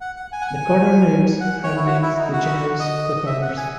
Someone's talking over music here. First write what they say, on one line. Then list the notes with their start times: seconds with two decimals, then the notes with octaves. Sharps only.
The corner names are named the genres of the corners.
0.01 F#5
0.16 F#5
0.32 G#5
0.41 F#5
0.48 G#5
1.41 F#5
1.63 C#5
1.76 E4
1.87 F#4
2.03 E4
2.18 D#4
2.33 F#4
2.80 D#5
3.26 E5
3.42 F#5
3.57 G#5